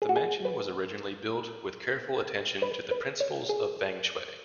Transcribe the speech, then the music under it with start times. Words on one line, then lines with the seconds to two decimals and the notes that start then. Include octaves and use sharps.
The mansion was originally built with careful attention to the principles of Feng Shui.
0.02 G#4
0.09 F#4
0.16 G#4
0.45 B4
2.62 B4
2.91 B4
3.20 C#5
3.49 G#4